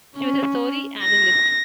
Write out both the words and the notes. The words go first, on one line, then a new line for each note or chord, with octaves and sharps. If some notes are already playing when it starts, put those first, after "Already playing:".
She was a story analyst.
C#4
A#6